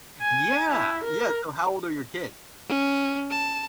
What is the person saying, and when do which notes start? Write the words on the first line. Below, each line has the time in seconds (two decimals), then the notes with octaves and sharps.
Yeah, yeah. So how old are your kids?
0.21 G#5
0.69 E4
1.04 A#4
2.69 C#4
3.30 A5